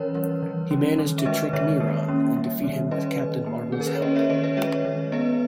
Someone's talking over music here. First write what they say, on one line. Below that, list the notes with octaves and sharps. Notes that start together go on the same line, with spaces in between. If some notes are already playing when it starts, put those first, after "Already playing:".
He managed to trick Neron and defeat him with Captain Marvel's help.
Already playing: E3 C#4 A#4 B4 C#5
G3
E3
C#4
D#3
E5
G#3 B4 D#5
D#3 C#5 E5
A#3
C#4
G3
D#3
C#4 B4 D#5
D#3
A#3
D#3 G#4
A#4
B4
C#5
C#4 B4 D#5
C#5 E5
D#3 B4 D#5
B4 D#5
G#3 C#5 E5
D#3
B3 B4 D#5